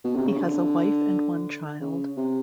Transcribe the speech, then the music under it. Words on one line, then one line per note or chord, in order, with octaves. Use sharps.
He has a wife and one child.
B2
C3
C#3
D3
C#3
C3